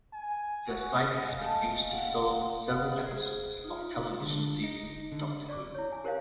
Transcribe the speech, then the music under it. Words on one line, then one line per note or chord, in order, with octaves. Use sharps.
The site has been used to film several episodes of television series Doctor Who.
G#5
F#4
D#5 F5 G#5
A3
F5 F#5
G#4 C5
D#4 F4
D3
D#4
D3
D5 C#6 D6
E4 C#5
G#5
G4 A#4 C5 C#5 D#5 F5